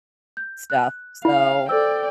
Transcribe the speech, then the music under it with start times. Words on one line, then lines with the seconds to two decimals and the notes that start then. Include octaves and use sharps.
stuff so,
0.37 G6
0.70 F#6
1.25 E4 F5
1.69 A4 C5 D5 G5 E6